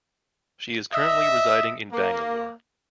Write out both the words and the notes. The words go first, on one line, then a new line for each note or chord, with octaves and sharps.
She is currently residing in Bangalore.
D#5 E5
A#3